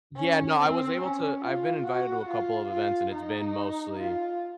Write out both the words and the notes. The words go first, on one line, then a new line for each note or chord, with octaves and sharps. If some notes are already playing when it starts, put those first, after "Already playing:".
Yeah, no, I was able to I've been invited to a couple of events, and it's been mostly
C#4
C4
C#4
F4
F#4
F4
F4
D#4
F4